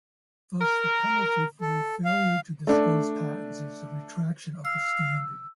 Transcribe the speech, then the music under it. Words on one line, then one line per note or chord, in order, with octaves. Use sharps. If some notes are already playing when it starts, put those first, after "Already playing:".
Thus the penalty for a failure to disclose patents is retraction of the standard.
A#4
A4
F5
A3 D4
F5 E6